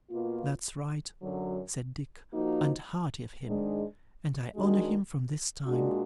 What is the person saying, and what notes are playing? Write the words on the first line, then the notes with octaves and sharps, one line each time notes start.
'That's right!' said Dick; 'and hearty of him; and I honour him from this time.
B2 A#3 F4
F#2 D3 F#3
F3 A#3 D#4 F#4
G#2 D#3 G#3 D4
D#3 G#3 D4 F#4
A#2 G#3 D4 F#4